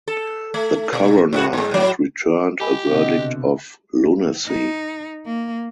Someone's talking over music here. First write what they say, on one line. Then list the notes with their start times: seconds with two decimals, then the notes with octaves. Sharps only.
The coroner had returned a verdict of lunacy.
0.08 A4
0.54 A3
0.93 B2
1.33 A2 C#4 F#4
1.53 G#2 G#3
1.71 A2 F#3
2.60 G4 D#5 G#5 B5
2.90 B2 D3 C4 D#5 F#5
3.18 C#2 C3 F#4
4.45 D#4
5.26 A#3